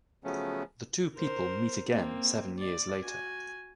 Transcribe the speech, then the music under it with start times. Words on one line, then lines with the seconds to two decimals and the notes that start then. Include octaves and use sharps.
The two people meet again seven years later.
0.24 C#3 F3 F#3 A3 B3 C#4
1.16 A#4 C5
1.89 A#3 C4
2.60 D5
3.01 F#4 G#5